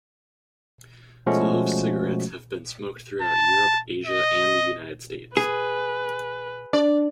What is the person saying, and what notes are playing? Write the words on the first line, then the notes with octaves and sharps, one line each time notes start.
Clove cigarettes have been smoked throughout Europe, Asia and the United States.
B2 F3 G#3 A3 C#4 F#4
A5
D#5
G#4 B4
D4 D5